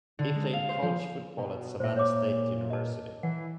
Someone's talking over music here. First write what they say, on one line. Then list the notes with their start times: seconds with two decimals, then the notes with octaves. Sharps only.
He played college football at Savannah State University.
0.19 D3
0.35 G#3
0.53 F5
0.69 C5
0.82 F3
1.38 B2
1.80 A#2 C5 E5
1.96 C#5 D6
2.70 D#5 A5
3.23 E3 F#5